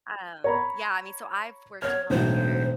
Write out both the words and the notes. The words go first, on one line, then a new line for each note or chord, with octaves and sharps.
Um, yeah, I mean, so I've worked in health care
C#5 A#5 B5
C#5 F6 G#6
E1 B1 A2 C5